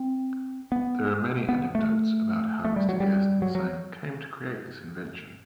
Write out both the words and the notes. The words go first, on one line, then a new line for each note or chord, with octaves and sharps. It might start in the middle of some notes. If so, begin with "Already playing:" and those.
There are many anecdotes about how Mr. Gerstenzang came to create this invention.
Already playing: C4
B3
B3
A3
A3
G3
F#3
G3
F#3
F#3